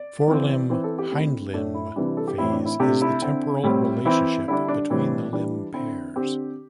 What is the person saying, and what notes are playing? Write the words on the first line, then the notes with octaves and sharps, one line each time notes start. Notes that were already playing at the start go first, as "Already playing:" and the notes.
Forelimb-hindlimb phase is the temporal relationship between the limb pairs.
Already playing: D5
E3 C4
E3 C4 C5
A4
G4
D3 A3 C4 E4
A2 A3 D4
E4
C3 E3 G3 D4
A4
G4
A2 E3 C4 E4
D4
E4
C3 A3 D4 G4
E4
D3 C4
A2 G3 C4
E3 C4 E4
D3 G3 D4 E4
D4
A2 E3 G3 C4
E3 G3 D4
D3 C4 E4
D3 C4 G4